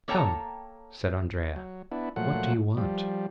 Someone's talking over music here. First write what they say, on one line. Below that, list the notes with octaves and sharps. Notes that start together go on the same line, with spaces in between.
"Come," said Andrea, "what do you want?"
A#3 A4 C#5 G5 A5 A#5
F#3
B3 D4 E4
A#2 F3 F#3 A3 F#5
F3 G3